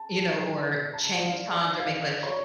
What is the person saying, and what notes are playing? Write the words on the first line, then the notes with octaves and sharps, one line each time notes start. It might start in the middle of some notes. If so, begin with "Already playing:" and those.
you know, or change times or make like
Already playing: A5
A5
D5
F5
D5
F5
D5
C#5